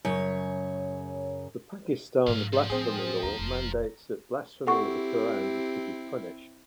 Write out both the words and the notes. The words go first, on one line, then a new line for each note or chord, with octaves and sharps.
The Pakistan blasphemy law mandates that blasphemy of the Qur'an is to be punished.
F#2 C#3 C#5
G#2 F#3 G#3 F5
F3
A2 C4 G#4
D#2 A#5
F1
C4 E4 G4 A4 F#5 C#6